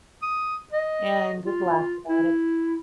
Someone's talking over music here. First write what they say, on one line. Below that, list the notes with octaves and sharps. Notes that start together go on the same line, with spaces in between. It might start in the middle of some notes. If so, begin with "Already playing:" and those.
and just laugh about it.
D#6
D#5
F4
E4